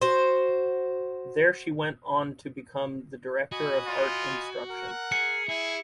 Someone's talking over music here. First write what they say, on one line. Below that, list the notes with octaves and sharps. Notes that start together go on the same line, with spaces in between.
There she went on to become the director of art instruction.
F#4 C5
F#4 D#5 G#5 B5
F4
A#4 F#5
G#4 C#7
E4 G#4